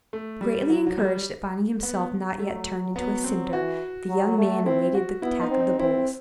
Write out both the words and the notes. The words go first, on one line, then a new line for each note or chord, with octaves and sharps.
Greatly encouraged at finding himself not yet turned into a cinder, the young man awaited the attack of the bulls.
A3
G3
F#3
F#3
G3
B3
F#3 A3
F#3 B3
C4
E3 F#4
F#3
A3
C4 E4
F#4
B3 E4
D#4
C4
D#4
C4 E4